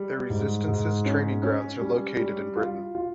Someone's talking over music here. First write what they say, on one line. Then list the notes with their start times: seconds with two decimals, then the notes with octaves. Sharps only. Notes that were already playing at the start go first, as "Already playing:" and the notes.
Their Resistance's training grounds are located in Britain.
Already playing: G3
0.30 G#2
0.68 G#2
1.06 C#4
1.43 C#4
1.81 G3
2.19 G3
2.56 F4
2.95 F4